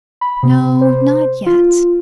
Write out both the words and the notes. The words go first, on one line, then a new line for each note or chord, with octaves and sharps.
'No, not yet.
B5
C3
C5
F4